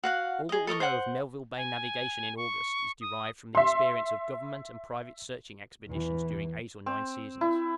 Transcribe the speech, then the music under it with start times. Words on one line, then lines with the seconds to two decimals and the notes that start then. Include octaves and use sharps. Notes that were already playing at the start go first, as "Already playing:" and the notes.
All that we know of Melville Bay navigation in August, is derived from the experience of Government and private searching expeditions during eight or nine seasons.
0.04 F#4 F5 F#5
0.49 G#4 D#5
0.67 A4 A#4 D#5 C#6
0.80 C5 F#5
1.57 G#5
2.37 C#6
3.01 D#6
3.55 E5 C6
5.88 E2 E3
6.86 C4
7.41 E4